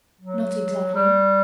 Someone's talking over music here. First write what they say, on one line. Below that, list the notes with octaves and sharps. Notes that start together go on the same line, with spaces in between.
"Not exactly."
F#3
G3